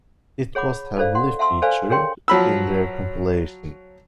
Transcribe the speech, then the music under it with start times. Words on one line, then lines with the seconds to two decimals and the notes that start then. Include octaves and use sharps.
It was heavily featured in their compilations.
0.55 G#4 C#5 F#5 B5 D6
0.96 D#4 F4 A4 C5 D5 F5
1.15 F#5 C6
1.39 E5 F#5 A5 C6 E6
1.62 A4 B4 C5 D5 F5 G#5
1.90 D4 G#4 A#4 C#5 G5 C6
2.28 F3 F#3 B5 E6